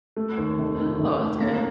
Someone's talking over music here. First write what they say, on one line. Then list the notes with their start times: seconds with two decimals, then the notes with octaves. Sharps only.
Oh, that's good.
0.16 A3
0.37 D#2
0.58 F1
0.79 D#2
0.99 F1
1.20 A3
1.41 A#3